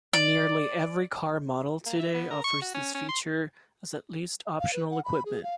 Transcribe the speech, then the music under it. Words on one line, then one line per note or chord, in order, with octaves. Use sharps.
Nearly every car model today offers this feature as at least optional equipment.
D5
A#3
E5
B3
A#4
C#6
F#4
C#4
C#4
C6
F5
B4
F#5
B5
G#4
F5